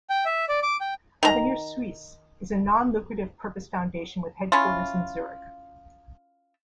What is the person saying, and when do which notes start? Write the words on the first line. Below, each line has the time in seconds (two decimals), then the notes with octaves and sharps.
Avenir Suisse is a non-lucrative purpose foundation with headquarters in Zurich.
0.10 G5
0.25 E5
0.49 D5
0.63 D6
0.81 G5
1.23 D#3 A#5
4.52 C#4 E4 F4